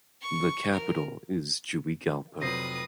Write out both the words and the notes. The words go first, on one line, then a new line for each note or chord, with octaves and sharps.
The capital is Juigalpa.
C#6
A#4
F1 F#3 C4 B4 D#6 A#6 C7